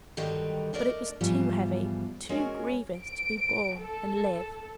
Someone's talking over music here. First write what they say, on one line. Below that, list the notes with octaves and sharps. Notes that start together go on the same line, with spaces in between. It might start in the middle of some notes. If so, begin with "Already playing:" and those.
But it was too heavy, too grievous to be borne, and live.
G2 D3 D#3 F#3 G3 D#4
A3 D4 A#4 D5 D#5
G#2 B2 E3 F3 G3
G#3 C#4 F#4 G#4 A#4
D7
A4